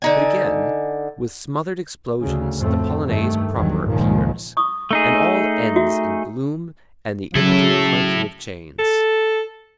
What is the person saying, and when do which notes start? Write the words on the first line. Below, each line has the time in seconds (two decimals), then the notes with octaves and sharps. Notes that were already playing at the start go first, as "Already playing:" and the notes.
But again with smothered explosions the Polonaise proper appears, and all ends in gloom and the impotent clanking of chains.
0.02 D3 D#4 G#5
2.22 D2 C#3
2.57 F2 A2 A3 C4
3.05 G2 D#3 A3
3.53 G1 E2 G2 D#3 F#3
3.87 C#2 A#2 D#3 F3
4.57 C#6 D#6
4.91 A3 D#4 G#4
5.76 F#4 E5
7.35 C#3 F#3 E4 A4
8.79 A4